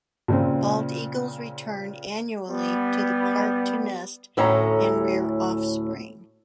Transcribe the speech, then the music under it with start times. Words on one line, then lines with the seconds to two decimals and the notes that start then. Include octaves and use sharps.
Bald eagles return annually to the park to nest and rear offspring.
0.28 A#2 C#3 C4
2.47 G3 B3
4.37 D2 A2 C#4 A4 A5 A#5